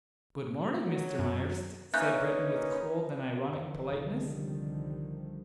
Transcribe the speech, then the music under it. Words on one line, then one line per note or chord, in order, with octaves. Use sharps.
"Good-morning, Mr. Myerst," said Breton with cold and ironic politeness.
F#3
F#2
A#3 C#4 D#4 B4 E5 F#6 G6
F2 D3 E3
C2 D3 D#3 F3 G3